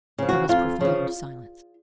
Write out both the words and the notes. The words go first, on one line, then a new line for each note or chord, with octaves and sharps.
There was profound silence.
C#3 F3
F#4
F2 F4
C#3 F3